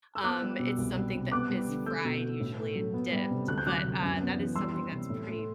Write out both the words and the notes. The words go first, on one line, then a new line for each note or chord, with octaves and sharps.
Um, it's something that is fried usually and dipped, but, uh, that is something that's pretty
E6
B3 D6 F#6
G3
B2
C2
G3
C3
B3 D6 F#6
G3
D3
A3 E6 G6
B2
A3
A2
A3
F#3
B3
G3
C3
D2 F#6
G6
F#3 D6 F#6
C3
F#2
B3
E3
G3 C6 E6
E3
C3
A2
A3